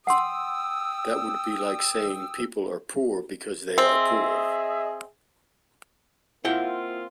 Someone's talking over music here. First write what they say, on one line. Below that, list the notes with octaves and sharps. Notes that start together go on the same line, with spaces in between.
That would be like saying, "People are poor because they are poor".
F#5 G5 C6 D#6 E6
C4 G#4 D#5 E5
A#3 C4 E4 F4 F#5 G5